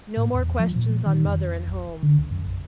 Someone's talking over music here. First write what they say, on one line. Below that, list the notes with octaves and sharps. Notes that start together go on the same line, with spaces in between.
No more questions on mother and home!
A2
E2
F3
A#2
D#3
F2
A#1
E1
D3
C#2
F#2
A#1